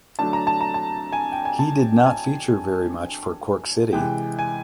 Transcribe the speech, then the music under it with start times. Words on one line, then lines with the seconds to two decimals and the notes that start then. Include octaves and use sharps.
He did not feature very much for Cork City.
0.19 D3 F#3 A3 D4 A5
0.33 A#5
0.47 A5
0.61 A#5
0.74 A5
1.12 G#5
1.32 G5
1.45 G#5
1.59 A5
2.06 G#5
3.93 C3 E3 G#3 G5
4.39 G#5